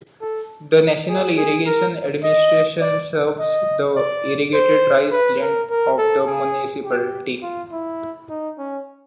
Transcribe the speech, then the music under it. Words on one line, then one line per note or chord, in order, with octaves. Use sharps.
The National Irrigation Administration serves the irrigated rice land of the municipality.
A4
G#4
G#4
A#4
D#5
D5
D#5
D5
C5
B4
A#4
A#4
A4
G#4
G4
F4
E4
D#4
C#4